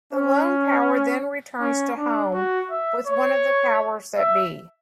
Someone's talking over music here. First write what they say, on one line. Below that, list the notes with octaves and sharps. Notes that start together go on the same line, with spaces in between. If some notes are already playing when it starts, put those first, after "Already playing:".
The Lone Power then returns to "home" with one of the Powers That Be.
C#4
C#4
D4
F#4
E5
C#5
E5